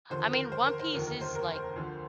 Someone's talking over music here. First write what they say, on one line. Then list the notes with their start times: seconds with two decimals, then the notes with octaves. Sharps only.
I mean, One Piece is, like
0.10 D#2 D3 F3 C5
0.32 A#4
0.52 C5
0.65 A#4
0.79 C5
0.93 F1 D#2 D3 F3 A#4
1.07 A#4
1.21 C5
1.35 A#4
1.55 C5
1.76 D2 D3 F3